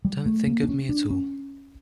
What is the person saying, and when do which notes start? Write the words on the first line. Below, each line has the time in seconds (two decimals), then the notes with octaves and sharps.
Don't think of me at all.
0.05 G3
0.26 A3
0.47 A#3
0.63 D4
0.69 C#4
0.89 D4
1.10 C#4